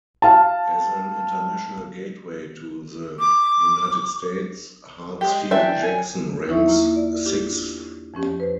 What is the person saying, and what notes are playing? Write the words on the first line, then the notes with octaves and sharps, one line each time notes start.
As an international gateway to the United States, Hartsfield-Jackson ranks sixth.
F5 A5
D6
G#3 G4
E3 D4 E5 G5
G#5
E2 D#4 E4 E5 C#6
A#3 E4 F4
D5
D4 F4 G4
F2 F3 C#4 G4
B4 C5